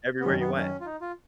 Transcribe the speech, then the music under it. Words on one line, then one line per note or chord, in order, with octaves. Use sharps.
Everywhere you went.
B3
F#2 D#3 F#3 C#4
B3
C#4
F4
D#4
F4